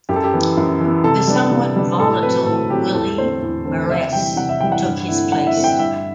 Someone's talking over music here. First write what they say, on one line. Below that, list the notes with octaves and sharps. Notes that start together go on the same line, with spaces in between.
The somewhat volatile Willy Mairesse took his place.
F#2 G4
A4
G4
E3 B3
F#2
E3 B3
C3 A4
G3 B3 D4
C3
G3 B3 D4
A2 A4
F#3 C4 B4
A2 A4
F#3 C4 G4
E2 A4
D3 A3 C4 C5
E2
D3 A3 C4
C3 E5
E3 G3 G5
C3 F#5
E5
E3 G3 G5
F#5
G2
D3 A3 C4 E4
G2 F#5
E5
D3 A3 C4 E4
G5
G2 E5